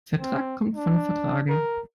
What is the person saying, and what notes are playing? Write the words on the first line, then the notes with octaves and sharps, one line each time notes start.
Vertrag kommt von vertragen.
C4
D4
A#4